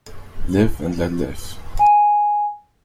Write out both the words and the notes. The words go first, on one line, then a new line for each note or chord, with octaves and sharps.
Live and let live.
G#5